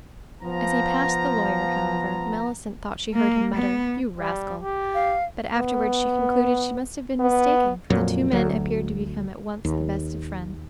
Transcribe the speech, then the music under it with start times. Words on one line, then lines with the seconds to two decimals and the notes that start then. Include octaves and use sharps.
As he passed the lawyer, however, Mellicent thought she heard him mutter, "You rascal!" But afterwards she concluded she must have been mistaken, for the two men appeared to become at once the best of friends.
0.42 F3 B3 A#5
3.14 A#3
3.55 B3
4.20 G3
4.60 G4
4.95 F5
5.57 B3
7.20 B3
7.90 F2 A#2 F#3
8.32 D2 F#3
9.65 D#2